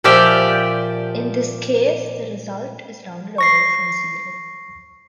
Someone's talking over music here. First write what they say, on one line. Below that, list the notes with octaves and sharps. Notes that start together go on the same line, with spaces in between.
In this case, the result is rounded away from zero.
A#2 F3 G4 D5 E5 G5
C#6 A#6 C7